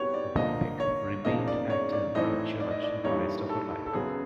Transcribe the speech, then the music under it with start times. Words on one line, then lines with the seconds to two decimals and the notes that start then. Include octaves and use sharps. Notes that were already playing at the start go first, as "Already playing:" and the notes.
Bombeck remained active in the church the rest of her life.
Already playing: E2 C3 E3 G3 B3 F#4 G4 C#5
0.14 D5
0.36 D3 F3 A#3 D#5
0.80 C#5
1.25 E2 C#3 F3 A#3 D#4 D#5
1.48 D5
1.70 C#5
1.92 D5
2.15 A2 E3 A3 C4 D#4 D#5
2.60 D5
2.71 D#5
2.83 D5
3.04 G2 E3 G3 A#3 D#4 C#5
3.50 A4
3.86 A4
3.93 F#2 C#3 F#3 B3 G#4